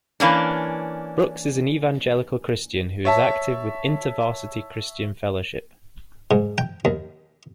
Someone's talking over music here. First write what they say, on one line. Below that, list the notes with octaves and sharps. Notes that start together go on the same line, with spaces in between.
Brooks is an evangelical Christian who is active with InterVarsity Christian Fellowship.
E3 A#3 C#4 D4
C#5 E5 A5
G#2
G5
D#2